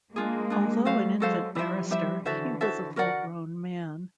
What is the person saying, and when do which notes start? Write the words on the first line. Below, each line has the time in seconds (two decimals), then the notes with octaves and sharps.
Although an infant barrister, he was a full-grown man.
0.15 G#3 A#3 D4 F4 G#4
0.50 D4 F4 G#4
0.85 G3 A3 F#4 A4 C5 F5
1.20 F#3 G#3 F#4 A4 C5 F5
1.55 F3 G3 E4 G4 C5 E5
1.91 E4 G4 C5 E5
2.25 D3 E3 F#4 A4 C5 E5
2.61 F#4 A4 C5 E5
2.96 F#4 A#4 D5 F#5